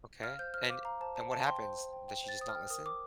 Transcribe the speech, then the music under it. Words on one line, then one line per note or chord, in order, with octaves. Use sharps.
Okay, and and what happens? Does she just not listen?
F5 F6
C5 G6
C5 F6
F5 D6
F5 A#5
C5 A5
C5 A5
F5 A5
G5 C6
C5
C5
G5
G5
C5 A6
C5 D#6
F6
G5
A#4 D#6
A#4 D6